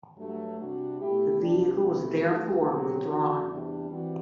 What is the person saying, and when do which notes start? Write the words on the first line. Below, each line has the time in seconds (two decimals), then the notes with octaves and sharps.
The vehicle was therefore withdrawn.
0.17 G2 F#3 A3
0.59 C3 G3 D4 F#4
1.01 B2 A3 E4 G4
1.42 C3 G3 D4
1.83 B2 A3 C4 E4 G4
2.24 G2 E3 A3
2.66 B2 F#3 C4 G4
3.06 E2 D3 A3 D4 F#4
3.48 E2 C3 G3 D4
3.89 E3 G3 C4 F#4